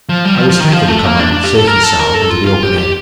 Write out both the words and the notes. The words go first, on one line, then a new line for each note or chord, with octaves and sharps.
I was thankful to come out, safe and sound, into the open air.
F3
G3
F3
F3
D#3
F3
A3
A#3
D4
D4
G4
A4
A#4
A4
A#4
A4
F4
F4
G4
G4